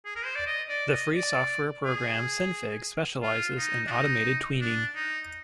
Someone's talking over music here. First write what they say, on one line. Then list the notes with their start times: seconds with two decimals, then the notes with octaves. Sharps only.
The free software program Synfig specializes in automated tweening.
0.05 G#4
0.16 A#4
0.25 C5
0.35 D5
0.46 D#5
0.69 D5
0.92 D#5
1.15 D5
1.85 G#4
3.22 F4
3.57 D#4
3.87 D4
3.91 D#4
4.61 D4
4.95 D#4